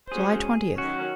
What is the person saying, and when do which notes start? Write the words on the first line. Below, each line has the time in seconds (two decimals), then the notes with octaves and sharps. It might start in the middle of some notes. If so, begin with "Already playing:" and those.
July Twentieth.
0.11 G#3 C#4 F#4 G#4 C5
0.78 D#3 F#3 C#4 F#4